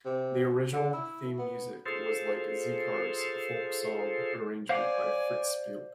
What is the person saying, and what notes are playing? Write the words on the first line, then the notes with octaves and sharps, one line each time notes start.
The original theme music was, like "Z-Cars", a folk-song arrangement by Fritz Spiegl.
C3
D3
E4
B3
F4 G#4 A4 C5
C5 D5 F5 F#5 G#5